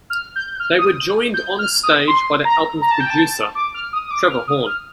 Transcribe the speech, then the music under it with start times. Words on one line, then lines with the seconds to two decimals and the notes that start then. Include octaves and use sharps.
They were joined onstage by the album's producer Trevor Horn.
0.10 F6
0.36 G6
0.60 F6
0.79 D#6
1.34 G6
1.59 F6
1.83 D#6
2.08 C6
2.45 A#5
2.82 A#5
2.91 A5
3.00 G5
3.10 A5
3.55 D6
3.74 F6
3.93 D#6
4.05 D#6
4.11 D6
4.30 F6
4.48 D#6
4.66 F6